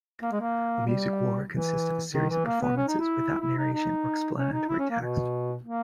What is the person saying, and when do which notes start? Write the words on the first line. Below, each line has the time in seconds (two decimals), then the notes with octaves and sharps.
A Music War consists of a series of performances, without narration or explanatory text.
0.22 A#3
0.32 G#3
0.41 A#3
0.86 G3
1.50 E3
2.13 D#3
2.30 E3
2.46 A#3
2.61 B3
2.77 C#4
2.88 D#4
2.99 E4
3.41 E4
3.57 D#4
3.73 D#4
4.37 C#4
4.52 D#4
4.69 E4
4.79 C#4
4.90 A#3
5.00 B2
5.64 A#3